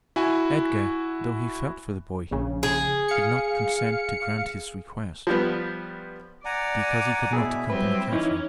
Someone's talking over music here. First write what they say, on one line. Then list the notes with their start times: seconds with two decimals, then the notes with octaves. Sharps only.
Edgar, though he felt for the boy, could not consent to grant his request; because he could not accompany Catherine.
0.16 E4 F#4 G#5
2.31 A#1 C#3
2.63 G#4
3.08 F5 C#7
5.27 F3 G3 B3
6.45 D5 F#5 G#5 A#5
7.33 B2 E4 G#4 E5
7.70 F#3 G3 C4 B4
8.13 E3 C#4 D#4 E4